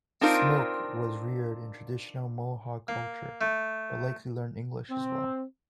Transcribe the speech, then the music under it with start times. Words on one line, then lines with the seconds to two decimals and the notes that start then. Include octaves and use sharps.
Smoke was reared in traditional Mohawk culture, but likely learned English as well.
0.21 C4 D4 D#4 F4 A#4 C5
2.88 A#3
3.41 A3
4.91 C4